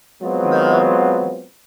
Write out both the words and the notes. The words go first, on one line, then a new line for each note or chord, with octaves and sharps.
No m
F#3 G#3 B3 C4 F4